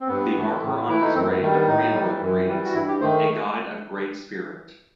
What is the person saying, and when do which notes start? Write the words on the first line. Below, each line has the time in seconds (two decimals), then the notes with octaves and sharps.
The marker on his grave in Cranbrook reads "A guide of great spirit".
0.01 C4
0.08 G2 B3
0.35 E3 A3
0.62 A2
0.88 E3 A3 E4
1.01 D#4
1.14 F#2 C4
1.28 B3
1.41 D#3 G3 A3
1.54 B3
1.68 A2 D#4
1.94 E3 G3
2.22 F#2
2.47 E3 G3
2.65 F#4
2.75 G2 E4
2.88 G4
3.00 D#3 A3 C5